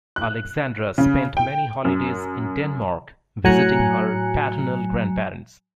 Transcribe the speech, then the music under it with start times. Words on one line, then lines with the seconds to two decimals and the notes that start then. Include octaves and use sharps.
Alexandra spent many holidays in Denmark visiting her paternal grandparents.
0.16 F#6
0.98 C#3
1.37 G5
1.85 F#2
3.44 A2 F#3 G#5 A#5 F#6 C#7